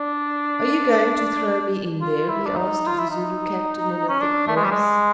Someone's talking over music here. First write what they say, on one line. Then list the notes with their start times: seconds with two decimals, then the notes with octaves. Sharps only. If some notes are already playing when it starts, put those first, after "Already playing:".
"Are you going to throw me in there?" he asked of the Zulu captain in a thick voice.
Already playing: D4
2.01 F4
2.29 E4
2.46 D4
2.56 D#4
2.87 F4
2.99 E4
3.10 D#4
4.09 C#4
4.21 D4
4.48 A3
4.56 G#3
4.64 G3
4.71 G#3